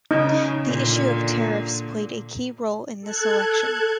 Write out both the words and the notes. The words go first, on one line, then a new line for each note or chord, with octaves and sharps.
The issue of tariffs played a key role in this election.
C#3 D#4
A#2 D3
A4 F#6 G#6